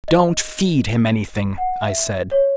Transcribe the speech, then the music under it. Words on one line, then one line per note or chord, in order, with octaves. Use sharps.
"Don't feed him anything," I said.
D#5
F#5
E5
C#5